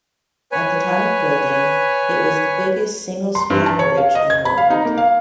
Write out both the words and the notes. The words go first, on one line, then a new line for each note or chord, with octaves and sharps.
At the time of building, it was the biggest single-span bridge in the world.
B4 C#5 G#5
C6
G2
A5
C#5
F5
D#5
G#6
B5
F5
D#4
A#3
F5